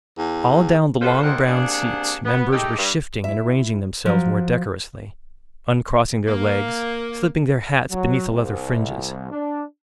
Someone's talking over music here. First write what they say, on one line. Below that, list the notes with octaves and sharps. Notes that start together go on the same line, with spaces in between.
All down the long brown seats members were shifting and arranging themselves more decorously, uncrossing their legs, slipping their hats beneath the leather fringes.
E2
B3 C#4 F4 A4 B4 C5
D#2 D3 C4 F4 A#4 F#5
C3 A#3 D4 G#4 F#5
B3
G#3 A3 D#4 G4
G2
E4 E5
F3 F#3
A#3
F#3
C2
D4